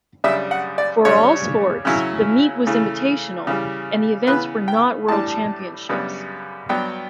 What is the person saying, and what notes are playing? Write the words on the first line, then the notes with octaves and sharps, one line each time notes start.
For all sports, the meet was invitational and the events were not world championships.
F#2 C#3 G3 D4 E5
F#5
D5
C#3 G3 D4 C#5
C#3 F#3 C#4 E4
C#3 E3 A3
C#3 E3 G3
C#3 E3 B3 B4
G5
A2 E3 G3 D4 A5
F#2 C#3 G3 B3 D4
G2 F#3 B3 D4 G5